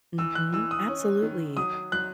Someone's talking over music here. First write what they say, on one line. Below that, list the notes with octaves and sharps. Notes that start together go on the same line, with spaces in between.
Mhm. Absolutely,
E3 E6
F#6
E3 E6
D#6
C#4
D#3
F#3 D#6
F#3 F#6